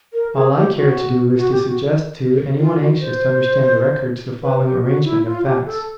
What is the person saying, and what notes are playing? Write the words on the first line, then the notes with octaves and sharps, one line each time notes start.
All I care to do is to suggest to any one anxious to understand the records the following arrangement of facts.
A#4
G#4
G4
F#4
F#4
G4
F#4
F4
F#4
C5
B4
G4
F#4
E4
F4
G4
A4